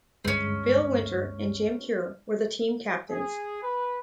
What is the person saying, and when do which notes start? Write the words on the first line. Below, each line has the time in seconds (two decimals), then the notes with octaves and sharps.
Bill Winter and Jim Cure were the team captains.
0.25 D2 G2 G#3 C4 C#4
3.10 G#4
3.62 B4